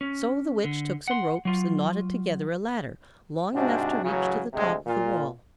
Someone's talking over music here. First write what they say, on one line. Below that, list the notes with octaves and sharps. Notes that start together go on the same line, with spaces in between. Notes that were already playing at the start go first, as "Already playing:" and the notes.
So the Witch took some ropes and knotted together a ladder long enough to reach to the top of the wall.
C#4
D3
F#5 C6
F#3 F4
G#2 C3 D4 F#4
A1 C#3 F#3
D2 C3 G#3
A#2 F4